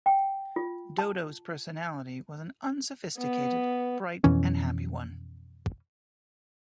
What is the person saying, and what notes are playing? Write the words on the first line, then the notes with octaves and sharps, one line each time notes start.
Dodo's personality was an unsophisticated, bright and happy one.
G5
F4
A5
B3
F2 B2 E3 C#4